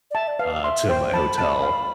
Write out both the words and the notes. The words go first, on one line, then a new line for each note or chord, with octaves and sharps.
uh, to my hotel,
D5
E5 A5
D5
B4 F5
E5 C6
C5 G5
A5 B5
A5
F5